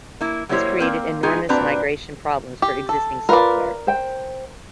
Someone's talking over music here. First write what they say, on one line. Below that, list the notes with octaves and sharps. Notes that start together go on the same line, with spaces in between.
This created enormous migration problems for existing software.
A#3 E4
F#3 G3 A#3 E4 C5 C#5
A#3 C4 A#4
G#3 B3 D#4 F4 G#4
A#2 C4 D4 F#4 B4 A#5
G4
A4
F4 A#4 B4 D5
C5 G5